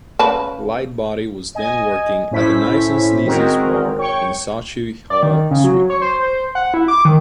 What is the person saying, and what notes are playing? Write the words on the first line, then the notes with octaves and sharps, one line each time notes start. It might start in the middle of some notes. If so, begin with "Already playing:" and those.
Lightbody was then working at the Nice n Sleazy's Bar in Sauchiehall Street.
C#3 B4 A5
D#5 G#5
A2 C#4 E4 C5 B6
D#3 G#3 C4 F#4 G#4 A#4
C#5 G5 C#6
D5
D#3
C#3
F#3
C#5
C5
C5
F#5
E4
D6
D#3